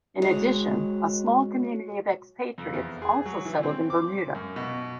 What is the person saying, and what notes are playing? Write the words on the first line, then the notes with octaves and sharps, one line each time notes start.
In addition, a small community of expatriates also settled in Bermuda.
F#3 G#3 D#4
F2
E2
G#4
F#3
E3
C4
D6
F#2
B2